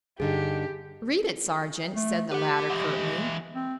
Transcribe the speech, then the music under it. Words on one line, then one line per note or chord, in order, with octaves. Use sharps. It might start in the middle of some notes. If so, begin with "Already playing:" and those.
"Read it, sergeant," said the latter curtly.
G2 D3 D#4 G4 G#4
A3
G4 B4 F#5
E3 G#3
C4